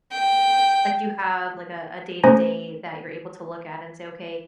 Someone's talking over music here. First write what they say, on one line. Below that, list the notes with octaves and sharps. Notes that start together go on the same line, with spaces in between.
like, do you have, like, a a day-to-day that you're able to look at and say, "Okay,
G5
A3 C#4 C5 G#5 A#5 A#6